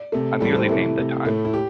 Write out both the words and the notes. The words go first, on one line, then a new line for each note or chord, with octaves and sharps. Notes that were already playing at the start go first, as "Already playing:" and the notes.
I merely named the time.
Already playing: D5
C3 A3
A2 E3 G3 A4
C5
C3 E3 A3 E4
C3 A3
A2 A3
E4
G4